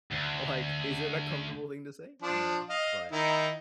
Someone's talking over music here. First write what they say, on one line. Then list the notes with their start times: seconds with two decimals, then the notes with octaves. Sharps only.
Like, is it a comfortable thing to say? No, but,
0.12 D2
2.22 F3 D4
2.70 D#5 F5
3.12 D#3 D#4 E4